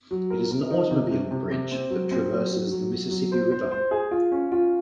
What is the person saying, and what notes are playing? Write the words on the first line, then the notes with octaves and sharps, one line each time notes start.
It is an automobile bridge that traverses the Mississippi River.
F#3
A#4
A#4
D#4
C3
C3
C3
C3
C4
F#3
C4
F#3
F#3
F#3
F#3
F#3
C5
C5
C5
G#4
F4
C#4
F4